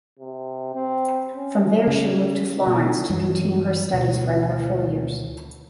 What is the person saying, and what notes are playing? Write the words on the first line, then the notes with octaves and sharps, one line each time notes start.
From there she moved to Florence to continue her studies for another four years.
C3
C4
C#4
C#3
B2
G2 E3 F#3
D2 B2